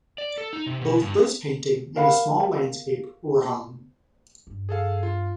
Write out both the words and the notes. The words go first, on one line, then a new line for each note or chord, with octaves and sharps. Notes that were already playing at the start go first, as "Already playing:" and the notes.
Both this painting and a small landscape were hung.
D5
A4
D#4
C3
B2
G2
A#4 F5 F#5 B5
G2
G#4 A4 F5
F4